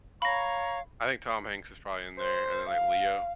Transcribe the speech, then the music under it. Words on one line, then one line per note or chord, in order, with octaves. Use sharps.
I think Tom Hanks is probably in there and then like Leo.
C#5 F5 A#5 B5 C#6 A#6
C5
F5